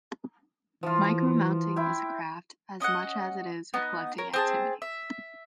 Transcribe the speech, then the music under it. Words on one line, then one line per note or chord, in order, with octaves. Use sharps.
Micromounting is a craft, as much as it is a collecting activity.
E3 F3 F4
E4 G5
C#4 D#5 E5 F#5
B3 D#4
A#4 C#5
C4 G#4 A5
E5